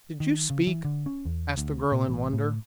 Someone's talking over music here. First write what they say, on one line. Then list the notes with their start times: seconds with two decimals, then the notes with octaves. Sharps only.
"Did you speak?" asked the girl, in wonder.
0.20 D#3
0.50 C#3
0.67 E3
0.85 D3
1.06 C#4
1.25 E2
1.58 D2
1.92 A#2
2.09 A1
2.33 A2